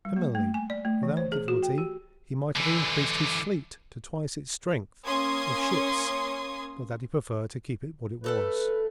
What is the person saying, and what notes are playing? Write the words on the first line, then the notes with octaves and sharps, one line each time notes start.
Similarly without difficulty he might have increased his fleet to twice its strength of ships but that he preferred to keep it what it was.
G3
A#3
A3
G#5
D5
A3
E3
C5
G#4
F#4
G5
G4
D3 E3
A#3 C#4 C6 D#6 G#6
A3 A4 B4 F#5